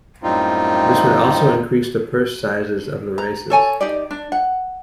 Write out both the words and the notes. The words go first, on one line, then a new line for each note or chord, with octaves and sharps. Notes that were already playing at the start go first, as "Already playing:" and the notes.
This would also increase the purse sizes of the races.
F#2 A2 G3 C4 D#4 F4
A#5
A4 C#5 G#5 A5
D#4 G4 D5
D4
F#5